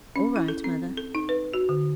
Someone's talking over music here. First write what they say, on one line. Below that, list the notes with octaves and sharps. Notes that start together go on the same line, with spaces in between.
'All right, Mother.
C#4
E4
A4
C4
A4
D#4
B4
F#4
D3